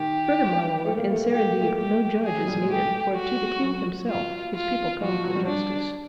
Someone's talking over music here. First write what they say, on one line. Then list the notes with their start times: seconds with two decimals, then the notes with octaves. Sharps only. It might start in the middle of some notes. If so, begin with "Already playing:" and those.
"Further, my lord, in Serendib no judge is needed, for to the king himself his people come for justice."
Already playing: D#3 G4
0.85 A3
0.97 A#3
1.11 A3
1.23 A#3
1.32 A3 G4
1.48 A#3
1.61 A3
1.77 A3 G4
2.24 G#4
2.37 F#3
2.47 G3
2.59 G#3
2.70 A3 G4
3.16 F#4
3.62 F#3
4.08 F4
4.55 F4
5.01 F3 F#4
5.12 F3
5.24 F#3
5.35 G3
5.46 D4